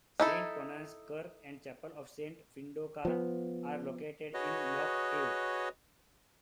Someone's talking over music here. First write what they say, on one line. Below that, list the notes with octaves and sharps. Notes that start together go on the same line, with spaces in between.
Saint Conan's Kirk and Chapel of Saint Fyndoca are located in Loch Awe.
D#4 E4 A4
F3 B3
F#4 G#4 B4 C#5 D#5